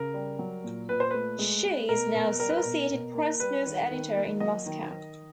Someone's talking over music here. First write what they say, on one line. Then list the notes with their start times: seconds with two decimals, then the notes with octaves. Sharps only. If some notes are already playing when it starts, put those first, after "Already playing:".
She is now Associated Press news editor in Moscow.
Already playing: C#3 A#4
0.14 G3
0.39 F#3
0.64 A#2
0.89 A#2 B4
1.00 C5
1.11 A3 B4
1.39 G#3
1.65 G#3
1.89 B2 A#4
2.15 B2 A#4
2.39 G3 A#4
2.49 B4
2.57 A#4
2.64 B2
2.90 B2
3.15 A#3
3.40 G3 B4
3.66 D#3
3.91 D#3
4.16 A#3
4.40 F#3 D#5
4.66 D#3
4.91 D#3